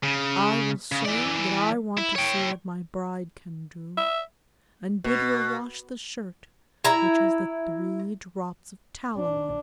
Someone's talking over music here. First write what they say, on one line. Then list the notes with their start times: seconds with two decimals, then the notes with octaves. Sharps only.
I will say that I want to see what my bride can do, and bid her wash the shirt which has the three drops of tallow on it.
0.03 C#3
0.92 C#3
1.05 E3 D5
1.98 E4
2.16 C#5 G5
3.98 E5
5.04 B2
6.85 E4 A#5
9.17 D4